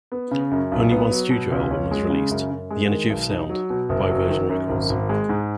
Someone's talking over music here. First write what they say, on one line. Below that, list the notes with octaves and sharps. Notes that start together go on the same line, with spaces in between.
Only one studio album was released, "The Energy of Sound", by Virgin Records.
B3
C#3
F#2
B1
B3
F#3
B2
C#2
C#4
G#3
C#3
F#2
F#2
G#3
D#3
B1
D#4
F#3
B2
F#1
F#3
D#3
F#2
G#1
G#1
G#3
G#2